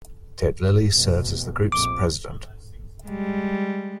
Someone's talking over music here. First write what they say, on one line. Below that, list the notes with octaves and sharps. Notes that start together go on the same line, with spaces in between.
Ted Lillie serves as the group's president.
F1 B2
A#1 F2 D6
G3 G#3